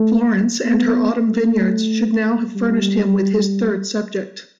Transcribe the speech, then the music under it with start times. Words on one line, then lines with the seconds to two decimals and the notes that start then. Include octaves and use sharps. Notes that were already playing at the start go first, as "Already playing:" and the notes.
Florence and her autumn vineyards should now have furnished him with his third subject.
Already playing: A3
0.64 B3
1.29 A3
2.56 G3